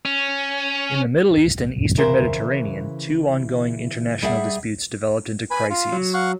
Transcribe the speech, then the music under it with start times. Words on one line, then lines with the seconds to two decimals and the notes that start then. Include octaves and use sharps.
In the Middle East and eastern Mediterranean, two ongoing international disputes developed into crises.
0.06 C#4
1.98 C#3 E3 A#4 C5
4.22 G3 G#4 D5 E5 F#5
5.51 B4 G#5 B5
5.70 F4
5.92 F#3
6.14 F5 F#5 C#6